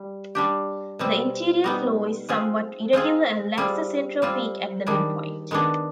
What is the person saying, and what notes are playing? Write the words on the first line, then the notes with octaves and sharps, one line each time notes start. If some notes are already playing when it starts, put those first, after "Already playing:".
The interior floor is somewhat irregular and lacks a central peak at the midpoint.
Already playing: G3
G3 D4 G4
B2 G3 C4
G3 B3 D#4
G#3 C4 F4 G#4
G#3 C4 F4 G#4
G3 C4 F4 G#4
G3 C4 F4
D#3 G3 D4 G#4
D#3 G#3 B3 D4 G#4